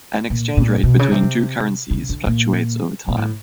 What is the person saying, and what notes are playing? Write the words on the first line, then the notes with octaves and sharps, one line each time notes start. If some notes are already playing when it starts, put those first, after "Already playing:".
An exchange rate between two currencies fluctuates over time.
A#2
A#2
B2
C#3
C3
C#3
D3
A#2
A#2
A2